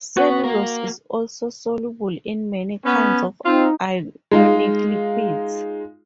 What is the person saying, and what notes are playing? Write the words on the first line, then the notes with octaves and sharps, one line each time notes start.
Cellulose is also soluble in many kinds of ionic liquids.
B3 F#4
A#3 A#4
B3 C#4
C4 D#4 F4
G#3 D#4 F4